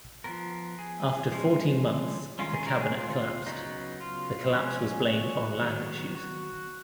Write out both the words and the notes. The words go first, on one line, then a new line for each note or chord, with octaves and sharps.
After fourteen months, the cabinet collapsed; the collapse was blamed on land issues.
F3 B3 A#4
G#4
F3 G#3 C#4
D#3 G#3 C#4 F4
G#4
A#4
G#4
F4
C#3 F#3 B3 D#4
F4
F3 G#3 C#4
F#4
D#3 F#3 B3
F#4